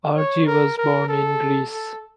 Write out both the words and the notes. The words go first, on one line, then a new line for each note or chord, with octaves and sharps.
Argea was born in Greece.
C#5
A#4
A#4
A4
A4